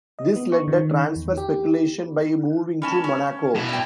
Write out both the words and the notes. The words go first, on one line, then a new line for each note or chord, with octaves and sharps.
This led a transfer speculation by moving to Monaco.
D#5
B3
C#6
D#3
E2
G4
G3 C#4 A5
C#4
B2 E4
D5 G5